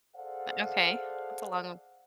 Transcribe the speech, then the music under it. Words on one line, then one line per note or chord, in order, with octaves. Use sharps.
Eh okay, that's a long
G#4 A4 C5 D5 F5 F#5